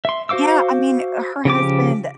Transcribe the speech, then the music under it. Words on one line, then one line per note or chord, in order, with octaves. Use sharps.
Yeah. I mean, her husband
E5 C6
F#4 C5 F5 D6 E6
C#3 F3 G4 D6